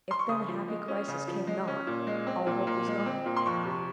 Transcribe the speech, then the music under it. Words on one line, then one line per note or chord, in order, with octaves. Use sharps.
If, then, a happy crisis came not, all hope was gone.
C6
C#6
C#3 D#6
F3
G#3
C#4
C#3
F3
G#3
C#4
A#2
G#3
C4
A#2
A#2
G#3
C4
A#2
C6
F2 C#6
C3